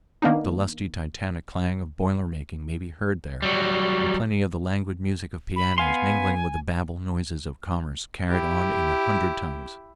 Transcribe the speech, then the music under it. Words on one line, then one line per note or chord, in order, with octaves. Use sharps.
The lusty, titanic clang of boiler making may be heard there, and plenty of the languid music of pianos mingling with the babel noises of commerce carried on in a hundred tongues.
D#3 A#3 B3 D4 D#4
F#3 G3
B5
B3 F5 G#5 C6
E4 G4